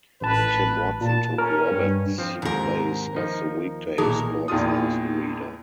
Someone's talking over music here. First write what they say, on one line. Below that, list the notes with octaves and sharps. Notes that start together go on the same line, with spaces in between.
Tim Watson took Roberts' place as the weekday sports newsreader.
A1 B4 A5
A#2 A5
C#4 A#4
G2
F3 C4
D#2 G#2 C3 A#4
F3 D#4
B1 A#2 D#3 E3 D#4 G#4 A#4 D#6
A#1 E2 D#3 A#3 F4 D#6